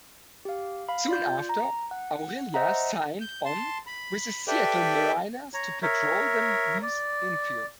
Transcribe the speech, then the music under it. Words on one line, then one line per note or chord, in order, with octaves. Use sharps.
Soon after, Aurilia signed on with the Seattle Mariners to patrol the M's infield.
G4 F5
F5 B5
F4 D5 G6
A#5
F#5
C5 D#5 E5 F#5 A#5
G6
A5 C6
B5
G4 A4 B4 D5 E5 G5
C#5 A#5
A#4 C#5 E5
D5